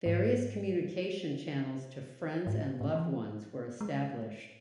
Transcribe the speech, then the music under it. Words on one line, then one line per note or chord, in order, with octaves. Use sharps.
Various communication channels to friends and loved ones were established.
G#2
G#2
A2
A2
E3
F3
G#3